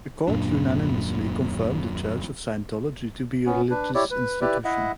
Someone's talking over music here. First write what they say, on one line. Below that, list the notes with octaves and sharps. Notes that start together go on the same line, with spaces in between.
The Court unanimously confirmed the Church of Scientology to be a religious institution.
D#1 F#2 A#2 D4
B3 C#4
D4 B4
E4 G4 C#5 D5
B4
E4 G4 B4 D5
E4 D#5 E5 F#5